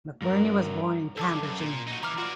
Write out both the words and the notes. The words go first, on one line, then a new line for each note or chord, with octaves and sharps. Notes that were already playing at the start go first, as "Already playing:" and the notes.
McBurney was born in Cambridge, England.
G2 A#4
C#2 G2 A4 A5 D6
F#2
A#2
D#4 F#4
E3 A#5 D6 F6
F4 F#4 D5